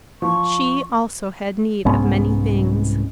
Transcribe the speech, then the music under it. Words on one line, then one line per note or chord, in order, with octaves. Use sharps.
She, also, had need of many things.
F3 C#6
C2 G#2 B3 C#4